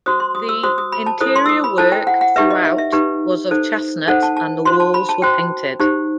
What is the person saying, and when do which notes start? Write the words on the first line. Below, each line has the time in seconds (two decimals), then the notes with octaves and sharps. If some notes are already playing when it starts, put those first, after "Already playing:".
The interior work throughout was of chestnut and the walls were painted.
0.06 F#4 C5 D#6
0.20 C6
0.35 D#6
0.49 E6
0.63 F#4 C5 D#6
0.78 D#6
0.92 B5
1.06 A5
1.21 E4 A4 C5 D#6
1.36 C6
1.46 E6
1.49 D#6
1.64 B5
1.78 E4 A4 C5 A5
1.92 G5
2.07 F#5
2.21 F#5
2.36 D#4 G4 B4 E5
2.50 D#5
2.65 E5
2.78 E5
2.93 D#4 G4 B4
3.51 D#4 A4 C5
4.07 D#4 A4 C5 F#5
4.23 A5
4.37 A5
4.65 F#4 C5 C6
4.80 A5
4.94 B5
5.09 A5
5.22 F#4 C5 G5
5.80 D#4 G4 C5